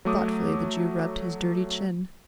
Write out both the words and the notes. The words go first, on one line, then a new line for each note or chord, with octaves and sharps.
Thoughtfully the Jew rubbed his dirty chin.
F#3 A3 D6 D#6